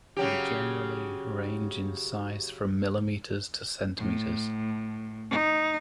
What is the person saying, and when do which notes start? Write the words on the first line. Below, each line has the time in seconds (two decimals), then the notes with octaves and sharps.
They generally range in size from millimeters to centimeters.
0.17 C#3 F#3 G4
3.97 A2
5.31 D#4